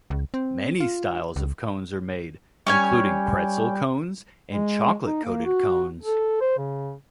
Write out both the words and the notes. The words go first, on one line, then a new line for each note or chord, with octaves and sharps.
Many styles of cones are made, including pretzel cones and chocolate-coated cones.
C#2
C4
F4
C#2
G3 C#4 C#5 G#5
G#3
D#4
A#3
F#4
A4
C5
C#3